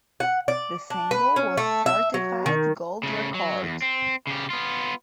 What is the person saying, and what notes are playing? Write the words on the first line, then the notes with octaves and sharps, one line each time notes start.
The single was certified gold record.
F#5
D5
D4
B4
C#4
A3
E5
F#3
D#3
C#3 A3
F#3
E2
C4
C#3 G4
B3 F4